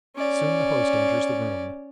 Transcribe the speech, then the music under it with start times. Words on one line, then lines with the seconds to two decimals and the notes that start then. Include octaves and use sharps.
Soon the host enters the room.
0.16 C#4 D5